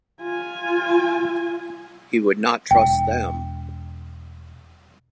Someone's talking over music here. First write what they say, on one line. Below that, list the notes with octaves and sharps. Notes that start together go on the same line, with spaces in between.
He would not trust them.
F4 G#5
E1 G5